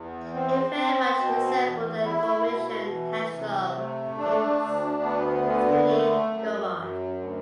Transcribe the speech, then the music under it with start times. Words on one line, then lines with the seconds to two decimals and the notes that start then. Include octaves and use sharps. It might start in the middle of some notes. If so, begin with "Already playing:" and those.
It very much resembled the Dormition Cathedral in Zvenigorod.
Already playing: E2
0.34 C4
0.76 C4
1.18 B2
1.61 E2
2.04 E4
2.46 B2
2.89 E3
3.32 C3
3.74 A3
4.18 D4
4.60 D2
5.02 B3
5.46 D3
5.88 A3
6.31 F#2
6.73 F#2
7.16 D2